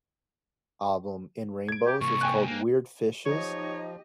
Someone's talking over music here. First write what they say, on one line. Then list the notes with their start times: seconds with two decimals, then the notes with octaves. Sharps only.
album In Rainbows, it's called Weird Fishes,
1.68 G#6 D7
1.86 G4
2.01 C2 A#3 C#6
2.21 G5 G#5 F#6
2.48 A#3
3.26 F3 D#4 G4 C#5 D#5